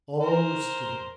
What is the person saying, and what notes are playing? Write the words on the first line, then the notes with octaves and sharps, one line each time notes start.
All were still.
A#4 C5